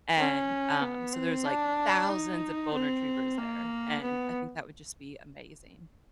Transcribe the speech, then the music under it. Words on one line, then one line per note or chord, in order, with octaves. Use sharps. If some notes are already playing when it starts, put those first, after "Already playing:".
And, um, so there's like thousands of golden retrievers there, and I think that would just be amazing.
C#4
B3
C4
D4
D#4
C4
A#3
B3